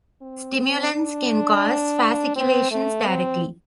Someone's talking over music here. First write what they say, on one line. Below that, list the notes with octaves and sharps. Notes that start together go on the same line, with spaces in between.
Stimulants can cause fasciculations directly.
C4
D4
C4
A3
C4